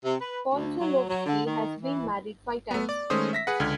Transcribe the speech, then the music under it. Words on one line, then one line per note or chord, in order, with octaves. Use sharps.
Konchalovsky has been married five times.
C3
B4
D2
F#3
F#3
D3
D#3
E3
A3 B3
D5
D#3 G#3 A3 C#4 C5 D#6
E5 A#6 B6
G#4 B4 F#5
C#2 D3 F6 G#6